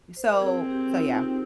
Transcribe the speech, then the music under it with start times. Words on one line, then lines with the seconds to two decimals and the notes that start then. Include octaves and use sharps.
so so, yeah.
0.17 C5
0.29 A#4
0.42 C4 G#4
0.70 G4
0.93 D#4
0.99 F4
1.18 G4